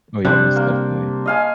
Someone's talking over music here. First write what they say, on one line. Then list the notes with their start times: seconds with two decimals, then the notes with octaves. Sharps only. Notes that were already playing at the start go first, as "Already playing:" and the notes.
Oh yeah, most definitely.
0.25 C3 G3 D4 C5
0.56 A#3
1.26 D#5 F5 G#5